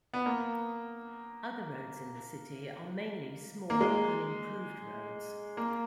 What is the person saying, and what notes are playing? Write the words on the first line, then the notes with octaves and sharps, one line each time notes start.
Other roads in the city are mainly small unimproved roads.
B3
A#3
A#3
G#3
A#3